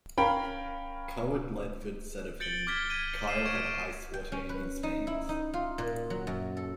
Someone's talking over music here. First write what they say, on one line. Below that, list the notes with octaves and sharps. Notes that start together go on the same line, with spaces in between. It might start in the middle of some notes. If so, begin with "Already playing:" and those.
Cawood Ledford said of him, Kyle had ice water in his veins.
C#4 A#4 F5 G5 B5
G6 A6 C#7 D7 F#7 G7
D6 F6 G#6 B6 G7
G#6 D#7
B6 C7 D#7 E7
C#6 G#6 D7
G5
C#4
B4
D#4
E4
D#4
F4
A#2
F#3
F#2
A4